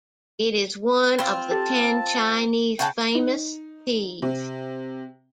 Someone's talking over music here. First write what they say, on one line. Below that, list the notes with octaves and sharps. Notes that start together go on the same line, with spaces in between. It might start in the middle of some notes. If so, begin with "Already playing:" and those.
It is one of the ten Chinese Famous Teas.
C4 F4 B5 E6 A6
G4 A4 A5
C#3 F#5 G5 A5
D#4
C3